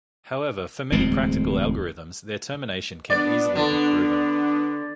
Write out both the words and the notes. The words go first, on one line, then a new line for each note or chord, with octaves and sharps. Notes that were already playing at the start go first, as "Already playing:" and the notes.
However, for many practical algorithms, their termination can easily be proven.
D1 E2 G#3 C4
B3 D4 D5
D3